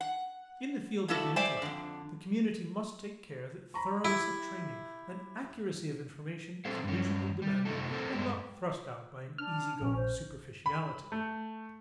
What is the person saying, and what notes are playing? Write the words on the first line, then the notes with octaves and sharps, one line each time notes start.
In the field of the intellect, the community must take care that thoroughness of training and accuracy of information is rigidly demanded and not thrust out by an easy-going superficiality.
F#5
A3 A#3 D4 E4 F#4 A4
C5 D5 E5 G5 G#5
F2 D3
A#5 B5 C#6
E4 G4 E5
C4 D4 A4 C5 F5
G2 C#4
G3
C3 A3 D#4 F4 A4
C4 A4 A#4 C5 A5
G2 G#3 G4
D4 F6
A#1 C#4
C5
B5
A3